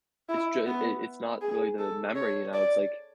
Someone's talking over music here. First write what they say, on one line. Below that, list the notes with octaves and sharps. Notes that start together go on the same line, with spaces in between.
It's ju it it's not really the memory, you know, it's like,
E4
B3
G#4
A4
C#5
D5